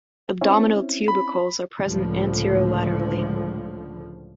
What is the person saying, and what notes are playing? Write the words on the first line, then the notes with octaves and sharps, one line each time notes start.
Abdominal tubercles are present anterolaterally.
C4 C#4 E4
B5
C#2 A2 D3 F3